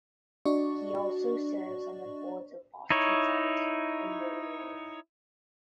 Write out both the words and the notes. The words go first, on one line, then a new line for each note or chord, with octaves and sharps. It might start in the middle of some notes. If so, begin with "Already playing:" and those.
He also serves on the boards of Boston Scientific and Motorola.
D4 F#4 D5 D#5 C#6
D#4 E4 C#5